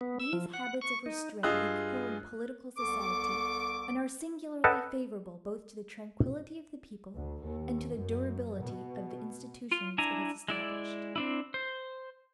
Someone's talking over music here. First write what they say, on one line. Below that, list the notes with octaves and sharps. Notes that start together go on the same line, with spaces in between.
These habits of restraint recur in political society, and are singularly favorable both to the tranquillity of the people and to the durability of the institutions it has established.
B3
E6
F3
F#5
C#6
D#4
G2 F4 G#4 D#5 E6 F#6
C2 B3 A4 C#6 D6
A4 B4 D#5 F#5 G5 A5
D2
D#2
F#2
B2
F4
D4 E4 G#5 A#5
G#3 E4 D5
C4 D4 E4
C5